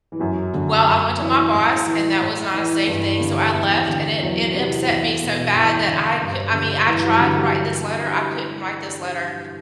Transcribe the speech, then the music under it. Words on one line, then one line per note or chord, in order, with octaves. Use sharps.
Well, I went to my boss, and that was not a safe thing, so, I left, and it it upset me so bad that I c I mean, I tried to write this letter, I couldn't write this letter.
E3
F#2 F#3
D3
F#2
E3
A2
E3
A2
E3
G2 E3
D3
E2
D3
E2 F#3
C3 E3
E2
B2
E2
D3
G2
D3
G2 E3
F#3
D3
G3